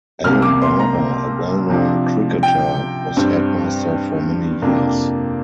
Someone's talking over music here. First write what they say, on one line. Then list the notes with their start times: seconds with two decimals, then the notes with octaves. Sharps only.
Alan Barber, a well known cricketer, was headmaster for many years.
0.24 C2 C3 A#3 F6
0.42 D6
0.62 C6
0.79 A#5
1.70 C3 F3 D4
2.43 G5
3.17 G2 G3 C4
4.62 F2 C3 A#3 D4